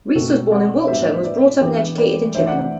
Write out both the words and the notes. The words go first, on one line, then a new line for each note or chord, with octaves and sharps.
Rees was born in Wiltshire and was brought up and educated in Chippenham.
B2 A3 C4 F#4 A4
D5 F#5
A2 G3 B3 D4 C5 E5
B4 D5
E3 B3 D4 G4 B4
B4 D5
E3 A3 D4 C5 E5
D5 F#5
D5 F#5